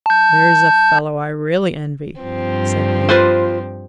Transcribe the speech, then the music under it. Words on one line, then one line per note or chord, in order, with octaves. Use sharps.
"There's a fellow I really envy," said he.
A5 G6
G2 F3 C4
F4 B4 C5